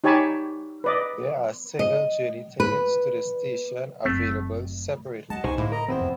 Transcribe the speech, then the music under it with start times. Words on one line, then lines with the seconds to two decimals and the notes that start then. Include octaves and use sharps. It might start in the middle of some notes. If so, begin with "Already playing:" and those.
There are single journey tickets to the station available separately.
0.04 D#4 G4 C#5 G#5 A5 B5
0.84 B4 D5 D#5
1.79 D#5
2.60 B4
4.05 F#1 A3 C4
5.30 G#3 D#5 F#5 A5
5.44 C2 B2 G3 D#4 G4 C5 G#5 C#6
5.58 A2 D3 G#3 A#3 E4
5.72 A#4 D#5 A#5
5.88 E2 D3 E3 B3 C4 E4 B4 C5
6.00 F2 C3